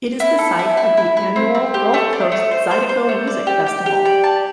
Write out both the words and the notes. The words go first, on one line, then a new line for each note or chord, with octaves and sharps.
It is the site of the annual Gulf Coast Zydeco Music Festival.
E4
A4
E4
E4
E4
E4
C4
C4
G4
A3
D4
A3
C5
C5
C5
A3
D5
G4
G4
G4
D5
A5